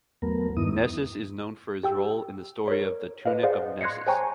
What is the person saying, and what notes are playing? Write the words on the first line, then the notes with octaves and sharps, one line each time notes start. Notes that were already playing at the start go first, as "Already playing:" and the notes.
Nessus is known for his role in the story of the Tunic of Nessus.
E2 F#3 A3 B3 A#4
G2 D#3 B3 E4 D#6
G4 G5 E6
A#4 C#5
B4 D#5 F5
G#4 C5 D5 D#5 F5 F#5
C6 F#6 G#6 A#6 C7 C#7
C5 C#5 G5 G#5 A#5 C#6